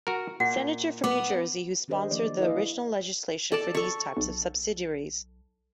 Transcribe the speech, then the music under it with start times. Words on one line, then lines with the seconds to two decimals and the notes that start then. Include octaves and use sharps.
Senator from New Jersey who sponsored the original legislation for these types of subsidiaries.
0.07 F#4 A#4
0.40 A#2 F#5
1.04 B3 D6
1.88 D#3 D4 G4 A#4 C5 D#5
2.11 F3 A#3 D5
2.38 E4 F4 G#4 B4 D#5 F5
3.52 A4 D5 A5
3.75 A4 C#6
4.17 B1